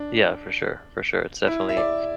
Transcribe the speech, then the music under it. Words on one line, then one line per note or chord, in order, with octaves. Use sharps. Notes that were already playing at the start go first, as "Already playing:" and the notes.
Yeah, for sure, for sure. It's definitely
Already playing: D4
E4
E5
D5